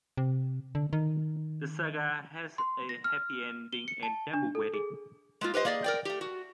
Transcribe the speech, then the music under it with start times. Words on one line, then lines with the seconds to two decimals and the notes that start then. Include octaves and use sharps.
The saga has a happy ending and double wedding.
0.17 C3
0.75 D3
0.93 D#3
2.58 C6
2.89 A#6
3.04 F6
3.73 G7
3.88 C#7
4.03 A5
4.33 D4
4.55 A4
4.74 G#4
5.41 G#3 A#3 F4
5.54 G4 B4 C5 D#5
5.65 A#3 G#4 D5 D#5
5.84 A#4 D5 G5
6.05 A3 G4
6.21 F#4